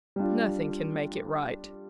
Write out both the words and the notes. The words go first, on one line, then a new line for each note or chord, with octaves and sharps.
Nothing can make it right.
G3 D4 F4